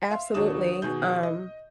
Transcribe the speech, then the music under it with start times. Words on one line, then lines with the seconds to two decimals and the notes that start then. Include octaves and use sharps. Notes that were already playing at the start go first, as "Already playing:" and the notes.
Absolutely. Um,
0.10 E5 F5 C6
0.34 D#2 F#3 D4 D#6 E7
0.82 B2 D#3 G#4 G6
1.23 D#5